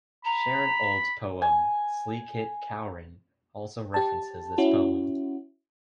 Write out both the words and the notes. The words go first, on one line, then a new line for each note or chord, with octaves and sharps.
Sharon Olds's poem "Sleekit Cowrin'" also references this poem.
A#5 B5
G#5
G4 A5
C#4 E4 F#4